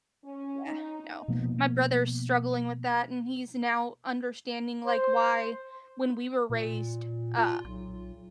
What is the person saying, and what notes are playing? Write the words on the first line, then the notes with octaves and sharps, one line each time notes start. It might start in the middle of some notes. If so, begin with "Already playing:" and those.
Yeah, no. My brother's struggling with that, and he's now understanding, like, why, when we were raised, uh,
C#4
D#4
B2 F3 A#3 B3
C5
A#2
F4
B1